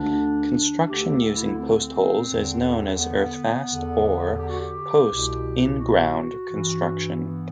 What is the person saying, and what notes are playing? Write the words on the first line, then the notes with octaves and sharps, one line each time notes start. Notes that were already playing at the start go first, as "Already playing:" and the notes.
Construction using postholes is known as earthfast or post in ground construction.
Already playing: D2 D3 D4
D2 D3 G4
E4
C4
E2 D3
B3
E2 D3
G4
F#4
G4
C2 B2
F#4
G2 E3
B3